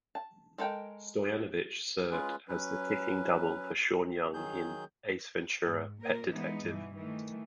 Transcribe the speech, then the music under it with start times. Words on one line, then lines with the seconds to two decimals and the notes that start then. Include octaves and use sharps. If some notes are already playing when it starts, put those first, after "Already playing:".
Stoyanovich served as the kicking double for Sean Young in "Ace Ventura, Pet Detective".
0.15 A5
0.58 G#3 A4 A#4 G5
2.11 G#3 C#4 F4 G#4 B4
2.48 F#3 C#4 B4
4.34 D#3 F#3 G#4 G6
5.63 G#2
6.01 A#2 A#4
6.31 E3 G#3 B3 D#4
6.64 G2 B2 E3
6.95 D#3 E3 A3